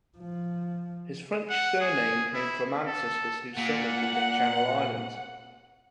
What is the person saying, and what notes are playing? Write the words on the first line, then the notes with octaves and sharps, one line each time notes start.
His French surname came from ancestors who settled in the Channel Islands.
F3
F#5
G#4
E4
A4
A#2 F#5